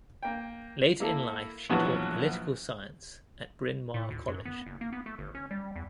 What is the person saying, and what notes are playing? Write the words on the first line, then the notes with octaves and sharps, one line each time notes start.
Later in life she taught political science at Bryn Mawr College.
A#3 G5
A#3 E4 A4
A#1 E2 E3 F#3 F#4 A5
A2
D2
F#2
B3
F#1
A#3
B3
A3
G1
C#4
G3
E2